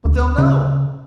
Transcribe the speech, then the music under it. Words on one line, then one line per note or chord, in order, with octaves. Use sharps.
"But they'll know...."
D2
C#3